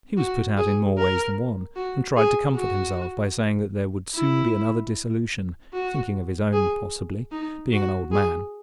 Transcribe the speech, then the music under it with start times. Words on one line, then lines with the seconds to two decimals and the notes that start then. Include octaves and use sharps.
He was put out in more ways than one, and tried to comfort himself by saying that there would soon be another dissolution--thinking of his own, possibly, being an old man.
0.17 F#4
0.57 G#4
0.98 A#4
1.76 F#4
2.17 G#4
2.55 F#4
4.15 E4
5.73 F#4
6.53 G#4
7.32 D#4
7.73 F#4
8.12 G#4